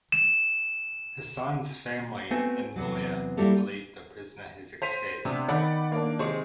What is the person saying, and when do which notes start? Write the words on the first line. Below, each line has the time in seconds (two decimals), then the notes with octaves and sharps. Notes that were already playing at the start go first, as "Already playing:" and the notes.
Hassan's family and lawyer believe the prisoner has escaped.
0.12 E7
2.30 A3 B3 C4 F#4 C5 G#5
2.76 E2 C3 F#3
3.37 G3 A#3 E4 F#4 G4 A4
4.82 C5 A#5 B6 D#7
5.25 C3 B3 D4
5.49 D#3 D5 F#5 B5
5.92 A#3 D4
6.19 C3 G#3 C5 C#6